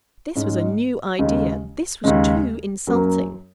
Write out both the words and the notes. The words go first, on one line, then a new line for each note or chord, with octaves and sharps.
This was a new idea--this was too insulting.
G#2 G#3 C#4
D#2 C#3 G#3
D#2 C#3 G#3
F#2 F#3 A#3